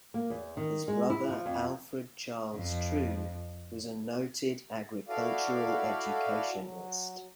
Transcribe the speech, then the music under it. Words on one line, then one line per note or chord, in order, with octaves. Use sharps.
His brother Alfred Charles True was a noted agricultural educationist.
A#3
E2
D#3
G#3
E4
F3
F2
F2
E4 F#4 A4 D5 F5
F#3